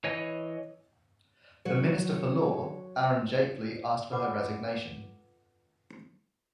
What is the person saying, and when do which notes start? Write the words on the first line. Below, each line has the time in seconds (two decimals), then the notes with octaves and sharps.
The Minister for Law, Arun Jaitley asked for her resignation.
0.04 E3 C#5 D#5 G#5
1.65 F#3 C#5
4.12 F4 A4 B4 F#5 D6